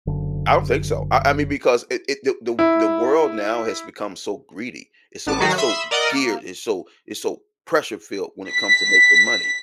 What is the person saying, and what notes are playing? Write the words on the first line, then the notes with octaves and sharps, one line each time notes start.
I don't think so, I I mean, because it it the the the world now has become so greedy. It's so it's so geared, it's so it's so pressure-filled when it comes to making money,
F#1 D3
E4
A1 B3 A5 D6
D#3 F#3 F#4 G#4
E5 B5 C6 D#6 E6
A#4 D5 D#5 F#5 D#6
A#3
B6